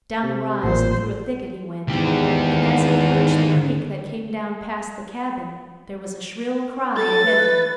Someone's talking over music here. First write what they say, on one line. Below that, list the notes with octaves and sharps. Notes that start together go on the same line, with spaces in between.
Down the rise and through a thicket he went, and as he approached the creek that came down past the cabin there was a shrill cry ahead of him.
C3
A1 A#2 C5
E2 G#2 D#3 G4
A4 A6
B4